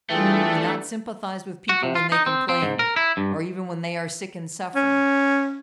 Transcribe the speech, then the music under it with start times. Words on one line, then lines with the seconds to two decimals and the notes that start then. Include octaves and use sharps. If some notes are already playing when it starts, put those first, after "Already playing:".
Do not sympathize with people when they complain, or even when they are sick and suffering.
0.10 E3 G3 A3 D4 F4 G#4 A4 G5
1.69 F#4
1.83 C3
1.95 F4
2.12 D#4
2.26 C4
2.49 C4
2.63 G#2
2.79 A#4
2.96 E4
3.17 G2
4.75 C#4